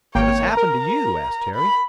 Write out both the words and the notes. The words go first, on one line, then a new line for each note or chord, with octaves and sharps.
"What has happened to you?" asked Harry.
G#1 A#3 C#5 G5
A#4 A#5
B5